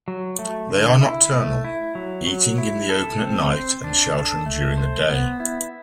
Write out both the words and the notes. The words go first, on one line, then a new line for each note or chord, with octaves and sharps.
They are nocturnal, eating in the open at night and sheltering during the day.
F#3
A3
D3
E4
A3
E4
F#3
F#3
E4
A4
C4
C5
D4
A4
A3
C5
B3
E4